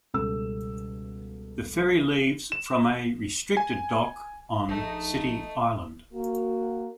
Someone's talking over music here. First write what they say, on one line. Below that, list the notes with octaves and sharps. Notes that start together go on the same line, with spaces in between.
The ferry leaves from a restricted dock on City Island.
C#2 B2 G3 A4 E6
E7
G#5
A#1 A3 D#4
A#3 F#4